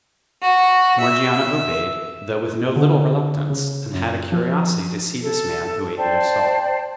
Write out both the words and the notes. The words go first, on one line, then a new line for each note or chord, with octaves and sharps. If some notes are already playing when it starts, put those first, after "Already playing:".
Morgiana obeyed, though with no little reluctance, and had a curiosity to see this man who ate no salt.
F#4
E5
D3
C#3
F#2
F3
A4
C5 D5 G5 A5